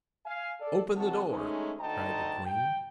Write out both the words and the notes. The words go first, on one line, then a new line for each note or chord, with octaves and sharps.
"Open the door!" cried the queen.
F5 G#5
A4 D5
C3 D#3 F#3 C4 F#5 A5
G#3 A3 C#4 D#4
D2 D3 D#4 G5 A5 A#5
G5